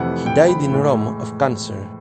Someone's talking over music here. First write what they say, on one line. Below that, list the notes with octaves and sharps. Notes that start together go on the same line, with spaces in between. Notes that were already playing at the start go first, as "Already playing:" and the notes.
He died in Rome of cancer.
Already playing: F2 C3 E3 A3 F#5
G5
B5
A2 E3 G#3